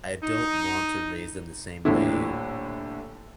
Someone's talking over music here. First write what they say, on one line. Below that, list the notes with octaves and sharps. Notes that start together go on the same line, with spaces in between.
I don't want to raise them the same way
D#4
D#1 A2 D3 E4